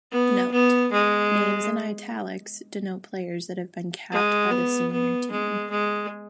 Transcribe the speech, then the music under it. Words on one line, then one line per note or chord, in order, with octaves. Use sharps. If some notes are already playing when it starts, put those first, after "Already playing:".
Note: Names in "italics" denote players that have been capped by the senior team.
B3
B3
G#3
G#3
B3
B3
G#3
G#3